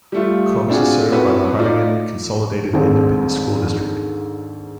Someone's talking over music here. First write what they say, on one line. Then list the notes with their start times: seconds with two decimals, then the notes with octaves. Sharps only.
Combes is served by the Harlingen Consolidated Independent School District.
0.12 G3 A3 F4
0.68 C4 D4 F4 F#4 G#4
1.12 C4 C#4 E4 F#4 A4 B4
1.59 D#4 F4 D5
2.73 D#2 G#2 D3 C4